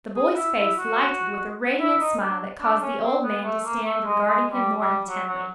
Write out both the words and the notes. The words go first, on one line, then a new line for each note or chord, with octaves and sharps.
The boy's face lighted with a radiant smile that caused the old man to stand regarding him more intently.
G#4
E4
E4
F#4
E4
D#4
D4
D4
C#4
C4
B3
A3
A#3
A3
G#3
G#3
G3
G3
F#3
F#3